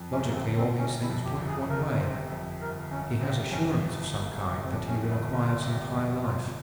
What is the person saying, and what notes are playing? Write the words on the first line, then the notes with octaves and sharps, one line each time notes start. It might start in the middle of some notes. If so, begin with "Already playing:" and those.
Logically all these things point one way! he has assurance of some kind that he will acquire some higher life.
Already playing: F2
C#4
G1
A#3
C4
G1
C4
C3 C#4
E4
F2
G4
G1
G#4
G1 A#4
C3 C5
F2
G1 A#4
G1 C#4
C3 C4
F2 C#4
G1
G1
A#3
C3
C4
F2
C#4
G1
E4
G1 F4
C3
F2
G1 F4